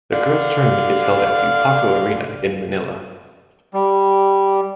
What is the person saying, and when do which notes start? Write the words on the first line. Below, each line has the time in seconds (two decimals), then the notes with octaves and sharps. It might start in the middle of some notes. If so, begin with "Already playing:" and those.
The girls tournament is held at the Paco Arena in Manila.
0.12 D3 F5
3.74 G3